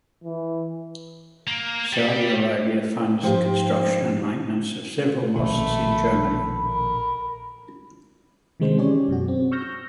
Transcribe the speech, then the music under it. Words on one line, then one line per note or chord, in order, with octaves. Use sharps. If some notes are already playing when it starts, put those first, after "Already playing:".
Saudi Arabia funds the construction and maintenance of several mosques in Germany.
E3
A#3
G3
G#2 F3 G4 C5
A#1 B2 D#3 A3 B5
A#4
C3 D#3 E3 G#3 C4 C5
C#4 G4 G#4 C#5 D5
F#2 B2 F#4
C4
C#6 E6 F6 G6 A#6